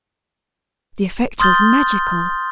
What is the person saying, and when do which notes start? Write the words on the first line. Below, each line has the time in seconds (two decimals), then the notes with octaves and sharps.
The effect was magical.
1.40 C6 D#6 F6 G6 A6 G7